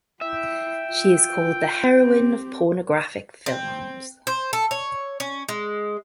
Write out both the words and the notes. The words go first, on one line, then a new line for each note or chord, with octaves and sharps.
She is called the heroine of pornographic films.
E4 E5 G5
F4
C4 G4
C4
C5
A4
C#5
C#4
G#3